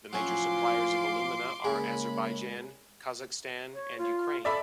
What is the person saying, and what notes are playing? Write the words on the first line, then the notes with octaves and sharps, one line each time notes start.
The major suppliers of alumina are Azerbaijan, Kazakhstan, and Ukraine.
A2 F3 F#3 C#4 F4 C6 D6
C#3 G#3 A#3 C#5 B5
C#5
F4
A4 D5 E5 B5